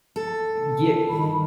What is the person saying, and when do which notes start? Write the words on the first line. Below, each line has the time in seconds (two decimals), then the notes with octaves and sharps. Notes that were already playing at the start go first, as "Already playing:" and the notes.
Y yeah Eh
0.16 A4
1.10 G2 D#3 B5